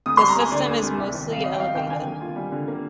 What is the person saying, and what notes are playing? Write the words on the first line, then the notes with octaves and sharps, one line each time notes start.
The system is mostly elevated.
D2 D#6
C6
G3
A#5
A#3 G#5
D3 D5
D2
G3
C2
D#3
C2 F5
C3 D#5
G5
C2 F5
D#3 G5
D3 G#5
A#3
F4
G3
D3
A#3